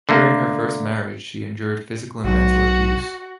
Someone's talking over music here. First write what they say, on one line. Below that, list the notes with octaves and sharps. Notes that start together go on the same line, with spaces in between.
During her first marriage, she endured physical and mental abuse.
D3 A3 A#3
B1 F#4